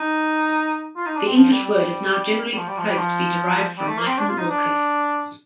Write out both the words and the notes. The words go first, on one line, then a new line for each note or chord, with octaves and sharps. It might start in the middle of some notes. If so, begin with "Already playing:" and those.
The English word is now generally supposed to be derived from Latin Orcus.
Already playing: D#4
F4
D#4
D4
C4
F3
G3
G3
G3
F3
G3
F3
G3
F3
G3
A3
A#3
C4
D4
F4
D#4
D4